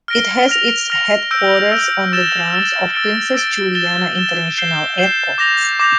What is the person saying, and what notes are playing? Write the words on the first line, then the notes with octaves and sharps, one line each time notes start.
It has its headquarters on the grounds of Princess Juliana International Airport.
F6 A#6 D7 G7
F6 A#6 F7
F6 A#6 F7
E6 G6 D7
E6 G6 D7
E6 A6 E7 G7
E6 A6 E7 G7
E6 A6 D7 G7
E6 A6 D7 G7
A6 E7 G7
A6 E7 G7
G6 C7 E7 G7
G6 C7 E7 G7
D6 G6 A#6 F7
D6 G6 A#6 F7